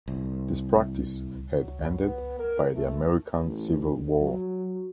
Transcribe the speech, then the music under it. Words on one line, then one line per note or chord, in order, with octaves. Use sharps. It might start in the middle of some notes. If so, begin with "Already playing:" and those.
This practice had ended by the American Civil War.
C2
F#3
B3
A#4
A3
A1
F#3